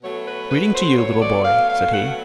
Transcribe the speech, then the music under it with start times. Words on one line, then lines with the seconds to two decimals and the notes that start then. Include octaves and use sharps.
"Greeting to you, little boy," said he.
0.02 B2 F#3 A3 C#5
0.26 B4
0.50 B4
0.73 C5
0.97 C#5
1.21 D5
1.44 F5
1.69 F5
1.92 F#5